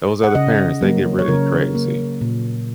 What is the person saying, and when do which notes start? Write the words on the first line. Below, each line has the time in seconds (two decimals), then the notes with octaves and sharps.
those other parents, they get really crazy.
0.24 F#5
0.35 C#3 D#5
0.81 F#3 A#3
1.19 C#5
1.28 C#3 A#4
1.75 A#3
2.21 A#2